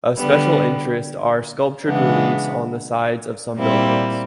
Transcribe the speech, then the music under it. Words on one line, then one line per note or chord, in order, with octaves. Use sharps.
Of special interest are sculptured reliefs on the sides of some buildings.
D3 G3 B3
C#3 E3 G#3 B3 D4
A#2 G3 C4 E4